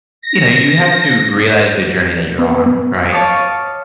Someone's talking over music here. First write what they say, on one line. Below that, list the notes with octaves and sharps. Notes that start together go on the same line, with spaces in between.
you know, you have to realize the journey that you're on, right?
A#6
B3
C#5 F5 A5 D6 D#6 C#7